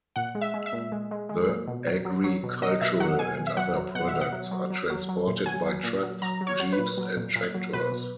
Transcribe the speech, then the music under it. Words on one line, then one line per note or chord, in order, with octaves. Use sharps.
The agricultural and other products are transported by trucks, jeeps and tractors.
A#2 F#5
G#3
E5
G#3
E5
A#2
G#3
G#3
G#3
A#2
B2
F#3
F#3
F#3
B2
F#3 D#5
B2 E5
F#3 F#5
B2 G#5
B2
E5
F#3 F#5
F#3
B2 F#5
B2 E5
F#5
F#3
F#3
F#3
F#3
F#3
A#2
F#3 G#5
F#3
A#2
F#3
F#3 A#5
F#3
C#5
F#3
B4
A#2
F#3
A#2
A#2
F#3
B2 B4
B2